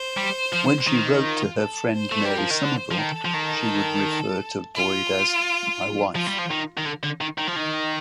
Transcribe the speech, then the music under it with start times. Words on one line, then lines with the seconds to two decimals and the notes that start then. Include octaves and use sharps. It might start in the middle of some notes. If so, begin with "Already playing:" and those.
When she wrote to her friend Mary Somerville, she would refer to Lloyd as “my wife”.
Already playing: C5
0.17 G3
0.53 F3
0.88 D#3
1.23 F4
1.58 A4
1.93 C5
2.12 A3
2.25 G3 A#4
2.38 F3
2.51 D#3
2.64 D3 C5
2.91 F3
2.98 D#3 A4
3.25 F3
3.34 D#3
4.75 F4
6.15 F3 F4
6.27 G3
6.38 F3
6.50 D#3
6.77 D#3
6.85 D3
7.03 D3
7.21 D#3
7.38 D#3
7.48 F3
7.56 D#3 D#4